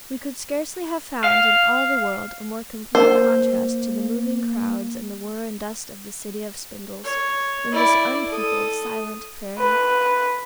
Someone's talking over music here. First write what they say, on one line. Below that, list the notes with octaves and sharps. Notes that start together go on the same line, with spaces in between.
We could scarcely have found in all the world a more complete contrast to the moving crowds and the whir and dust of the City of Spindles, than this unpeopled, silent prairie.
F5
A#3 A#4 C5
C#5
E4 D5
A4 D#6
B4